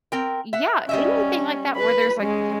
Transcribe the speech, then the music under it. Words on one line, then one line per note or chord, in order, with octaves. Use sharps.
yeah, anything like that where there's like,
C4 A#4 G5
E5 F#5
G3 C#4 D#5 E5
B4 B5
G#3 C#4